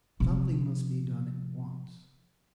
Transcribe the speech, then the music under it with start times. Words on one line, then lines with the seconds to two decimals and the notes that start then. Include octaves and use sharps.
Something must be done at once.
0.20 C3 F3